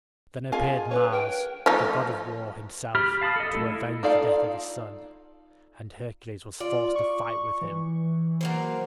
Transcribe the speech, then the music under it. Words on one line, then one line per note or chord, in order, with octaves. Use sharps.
Then appeared Mars, the god of war, himself, to avenge the death of his son; and Hercules was forced to fight with him.
F4 G#4 D#5 F5 G#5
B4 C#5
A#4 G5
F3 A3 D#4
G4 B5 F6
F5 A5 B5 D#6
A4 D#5
A3 F4 A4
E4
D#4 F4 A4 D5 F5
F4 D5
C#6
E3
F#3 A#3 C5